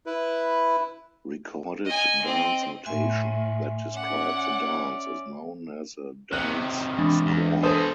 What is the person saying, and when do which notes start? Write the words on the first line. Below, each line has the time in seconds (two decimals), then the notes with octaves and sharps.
Recorded dance notation that describes a dance is known as a "dance score".
0.06 E4 B4
1.85 D#5 G#5
2.24 C4 D#5
2.86 A2 E5 G#5 C6
3.94 C#4 D5 F#5
6.33 C3 D#3 F6 F#6
6.99 E3 G#3 D4
7.26 E2
7.63 B2 G#4 A4 C5 D#6